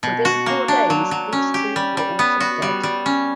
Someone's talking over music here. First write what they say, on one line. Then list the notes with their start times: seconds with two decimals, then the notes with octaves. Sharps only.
Within four days these two were also dead.
0.03 B2
0.25 F#4
0.46 A#3
0.68 D4
0.90 F#3
1.11 F#3
1.33 C#4
1.54 G4
1.76 G3
1.97 G3
2.19 B3
2.40 F#4
2.62 G3
2.83 G3
3.06 C#4